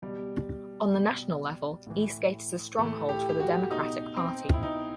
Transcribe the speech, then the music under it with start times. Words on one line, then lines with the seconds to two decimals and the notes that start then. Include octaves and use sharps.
On the national level, Eastgate is a stronghold for the Democratic Party.
0.02 B2 G3
0.94 B2
1.87 A2 E3
2.79 A2 E3 A3
3.09 G4
3.29 G4
3.40 F#4
3.71 B2 D#4
4.16 C4
4.54 E4
4.63 B2 D#4